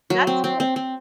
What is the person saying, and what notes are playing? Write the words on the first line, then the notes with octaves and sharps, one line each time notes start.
That's good.
F#3
C4
C4
C4
C4